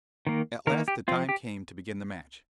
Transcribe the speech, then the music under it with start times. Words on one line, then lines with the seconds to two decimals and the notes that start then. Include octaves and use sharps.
At last the time came to begin the match.
0.27 D#3 A#3
0.67 D#3 A#4
0.71 A#3
0.88 G4
1.08 F3 C4 F4
1.29 G4